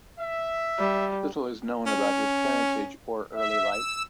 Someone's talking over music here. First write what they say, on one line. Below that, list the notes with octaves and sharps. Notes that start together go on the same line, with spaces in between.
Little is known about his parentage or early life.
E5
G3
C#4
E5
E6